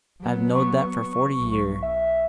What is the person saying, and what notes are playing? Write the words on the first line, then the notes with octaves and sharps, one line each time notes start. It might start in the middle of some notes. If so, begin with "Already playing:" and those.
I've knowed that for forty year.
F#3 B3
C#6
B1
E5